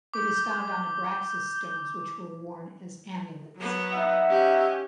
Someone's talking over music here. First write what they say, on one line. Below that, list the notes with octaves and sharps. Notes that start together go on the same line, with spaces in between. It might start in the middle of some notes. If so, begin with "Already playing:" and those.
It is found on Abraxas stones, which were worn as amulets.
D6 G6
F#3 B3
D#4 E5 F#5
C#4 G4